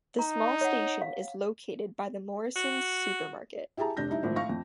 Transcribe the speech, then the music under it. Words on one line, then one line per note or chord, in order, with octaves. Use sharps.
The small station is located by the Morrison's supermarket.
D#4 A#5
C#5 F#5
F5
F#4
E4 G4 G#4 A5 A#5
F1 D4 G6 A#6
G3 D#4 E4
G#1 A2 F3
A2 F5 C#6 A#6
F2